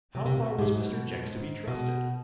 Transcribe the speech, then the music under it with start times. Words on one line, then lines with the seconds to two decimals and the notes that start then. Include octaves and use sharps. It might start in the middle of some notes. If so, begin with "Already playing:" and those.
How far was Mr. Jenks to be trusted?
0.15 C3
0.26 C3
0.37 B2
0.59 G#2
0.80 B2
1.24 G#2
1.68 B2